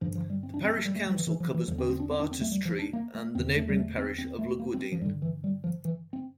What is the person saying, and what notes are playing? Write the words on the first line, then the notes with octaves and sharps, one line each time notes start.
The parish council covers both Bartestree and the neighbouring parish of Lugwardine.
G2 D3 F3
F3
G3
C4
D4
C4
A3
G3
A3
G3
E3
E3
F3
E3
E2 D3 F3
C4
C4
D4
C4
D4
C4
A3
G3
F3
D4
A#3
A3
E2 D3 C4
A3
G3
A3
C4
C4
A3
A#3
C4
F3
G2 D3 G3
E3
G3
F3
E3
C4